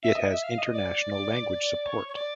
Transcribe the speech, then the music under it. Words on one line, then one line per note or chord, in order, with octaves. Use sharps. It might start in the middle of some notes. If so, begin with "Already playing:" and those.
It has international language support.
E5
D#5
E5
F5
D#5
D5
C#5
C#5
D5